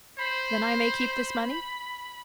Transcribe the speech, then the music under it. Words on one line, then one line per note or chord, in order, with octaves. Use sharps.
"Then I may keep this money?"
C5 B5